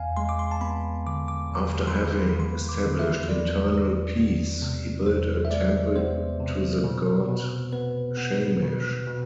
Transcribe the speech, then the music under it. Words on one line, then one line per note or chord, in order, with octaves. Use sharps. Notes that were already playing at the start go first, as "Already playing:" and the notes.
After having established internal peace, he built a temple to the god Shamash.
Already playing: E2 F5 G#5
G#3 C6
D6
C6
A5
B3 B5
D3 D6
D6
E2
C6
G#3 B5
B5
B3 C6
D6
D3
E5
E2 D5
G#3
B3
C3
E2 C5
E5
G#3 D5
B3 C5
C3
B2
B2
B3 B4
B3
B2
B2